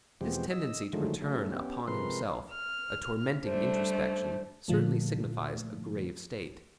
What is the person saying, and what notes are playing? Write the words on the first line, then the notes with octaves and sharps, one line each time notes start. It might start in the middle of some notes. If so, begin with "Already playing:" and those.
This tendency to return upon himself, a tormenting introspection, certainly signifies a grave state.
E2 B2 F3 G#3 C4 G4
D#5 E6
D3 D#3 F3 F#3 G#3 A3
C#3 F#3 A3
B3 C#4 G4
C3 F3 G#3 A#4 B4 C6
F6
G3 A3 D4 C5
A#2 D3 F3 A3